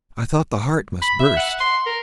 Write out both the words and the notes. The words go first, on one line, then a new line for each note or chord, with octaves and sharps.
I thought the heart must burst.
B5
E5
F#5
C6
A#4